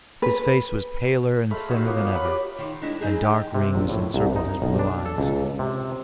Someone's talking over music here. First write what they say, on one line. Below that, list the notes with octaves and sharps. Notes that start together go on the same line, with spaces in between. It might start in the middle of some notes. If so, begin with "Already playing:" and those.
His face was paler and thinner than ever, and dark rings encircled his blue eyes.
B4
G#3 A3 F5 B5
D#4 F#4 E5 F5
A#3 B3 F4 C#5
D#5
B4 B5
G4
D#3 F4
G#3 D4 E4
F#3 D#4 G#4
G4
C3
A#1
A2
C2
D#4
B1
D4
A4
C#2
C3